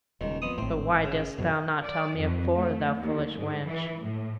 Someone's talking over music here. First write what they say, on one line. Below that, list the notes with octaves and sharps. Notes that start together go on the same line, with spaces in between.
'But why didst thou not tell me afore, thou foolish wench?'
D#1 C#2 D#3
F2 B3 D#6
G#1 A2 C4
C#3
F#2 B2
D5
F2
A3
D#2
G#2
E3
A2